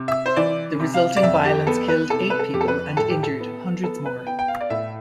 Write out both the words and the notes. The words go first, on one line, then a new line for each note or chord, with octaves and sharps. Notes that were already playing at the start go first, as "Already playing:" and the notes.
The resulting violence killed eight people, and injured hundreds more.
Already playing: C3
E5
C5
E3 D5
C3
F5
D5
F2 E5
G4
B3 A4
B4
C3 A4
B4
A4
F2 G4
A4
B4
A2 A4
G4
A4
B3
B3 A4
B4
B3 G5
G5
F5
D5
A2 E5